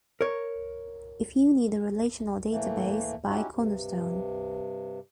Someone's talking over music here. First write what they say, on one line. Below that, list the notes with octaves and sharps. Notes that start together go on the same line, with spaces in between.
If you need a relational database, buy Cornerstone.
A#4 C#5
A2 E3 A3 A#3
C#4 D#4 E4 F#4 G4
G2 C3